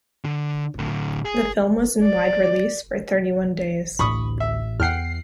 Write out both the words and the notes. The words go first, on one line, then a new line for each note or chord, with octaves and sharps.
The film was in wide release for thirty-one days.
D3
A2 D3
G#4
D5
A1 D2 B5 C#6 D#6
E5
E2 F#5 G5 F6 C7